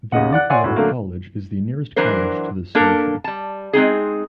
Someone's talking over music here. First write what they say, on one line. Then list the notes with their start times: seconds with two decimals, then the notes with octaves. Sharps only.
The Ruparel College is the nearest college to this station.
0.12 D#2 C#3 D#5 F#5
0.32 D5 F#5 F#6
0.50 C#5 D5 E5 F#5 G#5 C6
0.63 D#1 A2 F#4
0.76 D3 F#3 A3 A#3
1.96 E3 F#3 D4 A#4 C5
2.75 A#3 D4 A4 A#4
3.24 G3 A5
3.73 G#3 C4 D#4 G#4